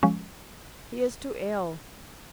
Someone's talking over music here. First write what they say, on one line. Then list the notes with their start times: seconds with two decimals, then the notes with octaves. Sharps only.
"He is too ill."
0.03 F3 G#3 C#4